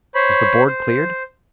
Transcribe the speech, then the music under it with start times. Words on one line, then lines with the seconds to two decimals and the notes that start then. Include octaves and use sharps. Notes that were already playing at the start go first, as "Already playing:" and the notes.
"Is the board cleared?"
0.15 C5 C#5 B5
0.67 C5